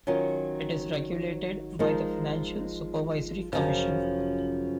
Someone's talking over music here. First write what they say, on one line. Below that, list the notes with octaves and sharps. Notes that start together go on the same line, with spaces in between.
It is regulated by the Financial Supervisory Commission.
D#3 F#3 C#4 F4
F3 G#3 D#4 A#4
F#2 C#3 F3